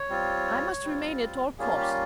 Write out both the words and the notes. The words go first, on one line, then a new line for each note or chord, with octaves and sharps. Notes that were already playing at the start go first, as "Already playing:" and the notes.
I must remain at all costs!
Already playing: C#5
G3 C4 F4
G3 C4 F4
G3 A#3 C#4 F4 G#4
G4